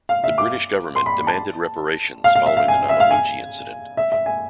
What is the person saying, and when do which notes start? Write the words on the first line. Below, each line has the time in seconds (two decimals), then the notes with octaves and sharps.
The British government demanded reparations following the Namamugi Incident.
0.09 F5
0.24 E5
0.38 D6
0.96 C6
1.06 B5
1.27 A5
2.24 F5
2.35 F5
2.46 E5
2.57 F5
2.68 G#5
2.89 E5
3.00 F5
3.11 G#5
3.97 E5
4.12 E5
4.26 G#5